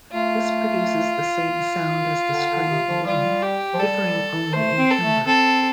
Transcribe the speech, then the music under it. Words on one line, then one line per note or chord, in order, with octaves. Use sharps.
This produces the same sound as the string alone, differing only in timbre.
A3 F4
D3
D3
C3
F3
G3 F4
G4
F3
G3 A4
A3 C5
C4
A4
A3
C4 A4